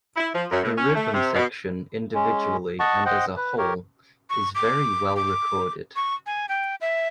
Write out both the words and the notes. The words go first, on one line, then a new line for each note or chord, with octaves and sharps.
The rhythm section, individually and as a whole, is very well-recorded.
E4
F3
F#2
A2
C#4
A3
C3
B2
G#3 C#4
D#5 F#5 A5 C#6
C5 D#5 F#5 G5
B4
G4 A#4 C#5
C#6
D6
D6
C#6
G#5
G5
E5